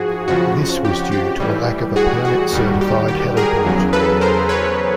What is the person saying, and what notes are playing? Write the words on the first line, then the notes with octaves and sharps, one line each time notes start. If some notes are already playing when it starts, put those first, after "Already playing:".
This was due to a lack of a permit-certified heliport.
Already playing: G#2 F3 F#4 G#4
F2 C#3 F3 F#4
G4
G4
A2 E3 G3
F#4 G#4
F#4
D#2 D#3 G3
G4
G4
G#4 A#4
E2 C#3 F#3
A4 B4
A#4 C5
B4 C#5